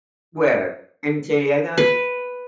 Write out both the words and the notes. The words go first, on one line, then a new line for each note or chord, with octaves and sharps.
Where? In San Diego?
B4